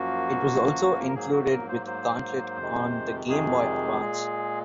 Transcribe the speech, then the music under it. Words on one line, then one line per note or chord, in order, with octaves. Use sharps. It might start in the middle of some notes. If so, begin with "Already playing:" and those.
It was also included with Gauntlet on the Game Boy Advance.
Already playing: F#2 F3 A#3 F#4
A#4
G#2 F#3 A#3 G#4
F#4
A#4
C5
C5
F2 C3 D#3 G#3
G#4
A#2 G#3